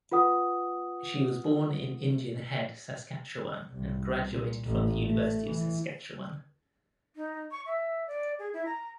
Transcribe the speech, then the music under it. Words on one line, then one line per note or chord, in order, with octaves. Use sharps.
She was born in Indian Head, Saskatchewan and graduated from the University of Saskatchewan.
F4 B4 F#5 D#6
C2
A#2
A1
A3
E3
D#4
C#6
E5
D5
G#4
E4
A#5